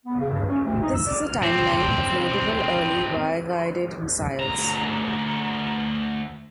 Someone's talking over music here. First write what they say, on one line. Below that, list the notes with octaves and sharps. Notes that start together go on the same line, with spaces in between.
This is a timeline of notable early wire-guided missiles.
B3
C#3
G2
C#4
D2
D#4
E6
D5
F6
C4 D4
D2 A#5